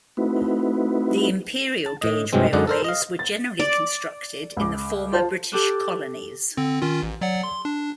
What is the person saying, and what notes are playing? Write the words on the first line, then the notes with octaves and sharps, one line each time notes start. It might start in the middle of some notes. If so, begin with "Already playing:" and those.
The imperial gauge railways were generally constructed in the former British colonies.
A3 C4 D#4 E4 F#4 B4
A5
A2 D#5
G2 C3 F#3 G#3 C4
F#2 D3 G#3 D#4 D5 F#5
A4 A#4 C5
D#5 F5
A6
D5
C#2 D6
F4 C5 A5
G4 A4 D6 F#6
D3 C4
D#3 C#4 F4
A1
F#3 D5 F#5
C6
D4